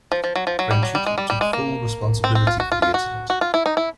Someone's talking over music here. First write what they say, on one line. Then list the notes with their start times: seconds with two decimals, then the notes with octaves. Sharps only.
Franchitti took full responsibility for the incident.
0.12 F3
0.24 F3
0.35 F#3
0.47 F3
0.59 F#3
0.71 G3
0.83 F#3
0.95 G3
1.06 G#3
1.18 G3
1.30 G3
1.41 G#3
1.53 A#3
2.24 C4
2.35 C4
2.47 F4
2.60 F#4
2.72 F4
2.82 F4
2.94 F#4
3.30 F#4
3.41 F4
3.54 E4
3.66 D#4
3.77 E4